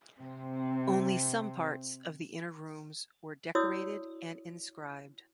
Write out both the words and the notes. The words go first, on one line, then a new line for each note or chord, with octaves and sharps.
Only some parts of the inner rooms were decorated and inscribed.
C3 C4
E4 F#4 C#5 D5 D#6 E6